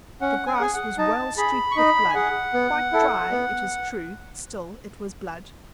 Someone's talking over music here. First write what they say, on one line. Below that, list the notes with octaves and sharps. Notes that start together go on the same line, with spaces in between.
The grass was well streaked with blood: quite dry, it is true; still it was blood.
C#4 F#5
G#5
F#5
G#4 G#5
F#5
D#4 A5
G#4 B5
C#6
D#4 B5
G#5
G#4 F#5
B3
E4 A4
B3